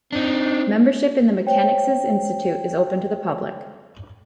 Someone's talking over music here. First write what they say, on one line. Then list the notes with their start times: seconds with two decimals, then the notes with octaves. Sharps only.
Membership in the Mechanics' Institute is open to the public.
0.12 C4 D4 D#4
1.47 C5 C#5 G5